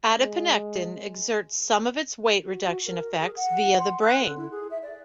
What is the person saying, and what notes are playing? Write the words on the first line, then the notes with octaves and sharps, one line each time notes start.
Adiponectin exerts some of its weight reduction effects via the brain.
G#3
F#4
F#4
A#4
G#4
F#5
C6
F#6
A4
E4
G#4
E5
D5